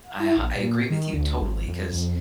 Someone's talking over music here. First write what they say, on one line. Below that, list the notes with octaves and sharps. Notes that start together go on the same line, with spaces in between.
I h I agree with you totally 'cause,
E4
A#1
A#2
D#3
D2
G#1
F2
F2